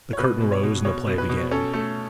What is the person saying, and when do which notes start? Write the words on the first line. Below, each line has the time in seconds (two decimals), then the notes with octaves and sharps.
The curtain rose and the play began.
0.13 C#5
0.19 B2 B4
0.41 B2
0.52 C#5
0.63 B2
0.85 B2 C#5
1.07 B2
1.18 B4
1.29 B2
1.51 C#4 A4
1.73 A3 A4